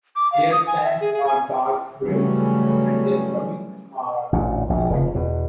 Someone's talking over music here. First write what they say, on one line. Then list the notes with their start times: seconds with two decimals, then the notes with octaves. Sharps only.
Their flanks are dark gray, and their stomachs are a lighter gray.
0.16 D6
0.32 F5
0.52 D#6
0.67 G#5
0.84 E5
1.01 G#4
1.14 G#4
1.26 G#5
2.03 C#3 E3 F#3 G3 A3 C#4
4.33 A1 D2 A#2
4.70 A#1 B2
4.90 F1 C#3 F3
5.15 E2 B2